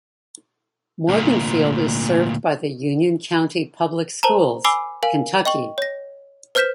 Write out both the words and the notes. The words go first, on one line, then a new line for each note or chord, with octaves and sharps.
Morganfield is served by the Union County Public Schools, Kentucky.
D2 A#2
A#4 C5 A5 A#5
G#5 B5 D6 E6 C7 G7
A#4 F5 G#5
D#5 G5 C#6 F#7
C#5 A#6
B4 C5 F6 G6 B6 E7